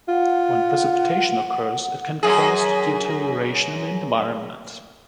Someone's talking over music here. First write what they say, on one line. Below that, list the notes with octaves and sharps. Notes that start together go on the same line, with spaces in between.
When precipitation occurs, it can caused deterioration in the environment.
F4 F#5
F#2 G#4